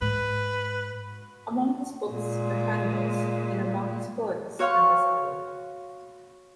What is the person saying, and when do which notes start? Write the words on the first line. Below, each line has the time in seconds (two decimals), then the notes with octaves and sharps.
Among his books are "Cannibals" and among his poems are "Masada".
0.01 G#2 B4
2.13 A#2 G#3
4.59 F#4 C#5 F5 C6 C#6 F6